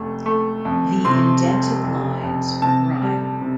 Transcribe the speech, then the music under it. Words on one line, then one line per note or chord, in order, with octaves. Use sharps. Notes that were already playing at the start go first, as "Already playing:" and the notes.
The indented lines rhyme.
Already playing: F1 A3
A3
F2
C3 C6
F1
F1
F2
C3 A5
G3
C3